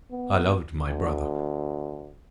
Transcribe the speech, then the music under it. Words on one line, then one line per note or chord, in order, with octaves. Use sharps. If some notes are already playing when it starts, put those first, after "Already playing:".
I loved my brother.
B3
D2